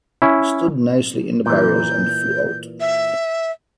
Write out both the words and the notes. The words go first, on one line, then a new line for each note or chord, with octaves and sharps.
He stood nicely in the barriers and flew out.
C#4 E4
A#2 E3 G6
E5